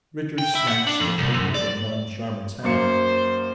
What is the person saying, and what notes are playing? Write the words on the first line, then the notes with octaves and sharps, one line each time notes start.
Richard snatched the paper from Moncharmin's hands.
G5
E4
F#5
D4
F2
C2
F#2
D5
F#2 A#3 C5 C#7